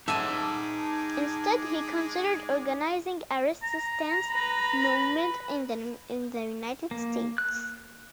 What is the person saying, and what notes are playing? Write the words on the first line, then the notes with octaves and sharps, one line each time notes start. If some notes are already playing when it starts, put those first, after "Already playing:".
Instead, he considered organising a resistance movement in the United States.
G#3 D#4 E5 F#5 G#5 A5 D6
A#5
B4 B5
A#3
F#6